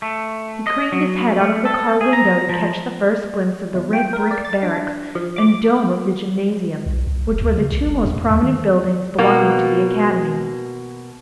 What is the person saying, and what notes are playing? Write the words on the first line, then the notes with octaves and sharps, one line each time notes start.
He craned his head out of the car window to catch the first glimpse of the red brick barracks and dome of the gymnasium, which were the two most prominent buildings belonging to the Academy.
A3
D#5
F#3
A3
A4
G#4
A#5
F3
E2
G5
A#4
D5
A6
D4
F3
D6
B1
C2
F1
D2
C#3
C2
F#1
E2
F2
D#2
D#3
B2 A#3